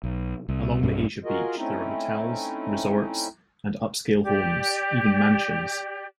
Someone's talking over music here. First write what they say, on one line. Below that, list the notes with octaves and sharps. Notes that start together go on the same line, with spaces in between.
Along the Asia Beach there are hotels, resorts, and upscale homes, even mansions.
B1
C2
B1 G2 G3 C#4
F4 F#4 G#4 A#4 D#5
A3 C4 C#4 D#4 E4
G4 D5